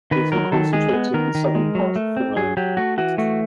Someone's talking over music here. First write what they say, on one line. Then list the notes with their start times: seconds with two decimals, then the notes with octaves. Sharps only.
These were concentrated in the southern part of Finland.
0.11 D#3 B4
0.32 F#3 A#4
0.52 D#3 A4
0.73 G#3 G#4
0.93 B3
1.14 D#3 A#4
1.35 D#3
1.55 G#3
1.75 F#3
1.96 A3
2.17 C4
2.36 F#3 G#4
2.57 F#3 G4
2.77 A3 F#4
2.98 E3 F#4
3.18 A3 F#4